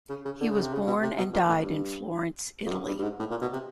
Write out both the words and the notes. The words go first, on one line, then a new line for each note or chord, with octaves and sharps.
He was born and died in Florence, Italy.
C#3
C#3
D3
C#3
C3
C#3
B2
C3
B2
A#2
A2
G2
F2
F#2
G2
G2
G#2
A2
A#2
B2
C3